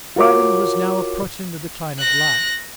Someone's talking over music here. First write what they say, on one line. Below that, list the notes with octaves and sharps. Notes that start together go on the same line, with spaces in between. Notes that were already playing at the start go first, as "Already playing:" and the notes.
Dryden was now approaching the decline of life.
F4 F#4 A#4 C#5 D6
F#6 A#6